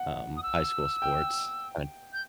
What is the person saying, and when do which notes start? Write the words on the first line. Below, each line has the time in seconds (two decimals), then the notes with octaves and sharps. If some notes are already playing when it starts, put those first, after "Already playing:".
um, high school sports and
Already playing: F#5
0.37 D#6
0.43 E6
1.02 G5
2.13 G6